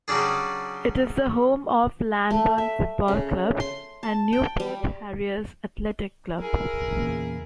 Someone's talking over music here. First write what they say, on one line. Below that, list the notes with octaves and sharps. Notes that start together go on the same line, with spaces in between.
It is the home of Llanwern football club and Newport Harriers Athletic Club.
C#3 F#3 G3 D4 G#4
A3
E5
C#3
C6
A5
G5
G3
E4 G#4 A#4
E2 A#2 C#3